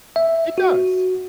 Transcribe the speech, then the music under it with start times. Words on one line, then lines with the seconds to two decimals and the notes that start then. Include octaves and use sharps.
It does.
0.16 E5
0.58 F#4